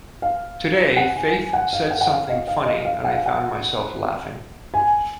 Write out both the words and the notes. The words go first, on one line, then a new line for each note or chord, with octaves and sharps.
Today Faith said something funny and I found myself laughing.
F5
F#5
G#5
G#5
F#5
F5
F#5
F#5
F5
D#5
F5
D#5
F5
F#5
F5
F#5
G#5